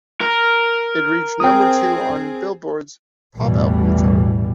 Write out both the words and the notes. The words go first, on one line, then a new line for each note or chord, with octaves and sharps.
It reached number two on "Billboard"'s Pop Albums Chart.
A#4
C4 G#4 G5 D#6
A1 E2 B2 E3 G3